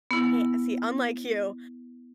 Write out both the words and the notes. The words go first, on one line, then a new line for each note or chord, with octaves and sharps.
ha see, unlike you,
B3 E4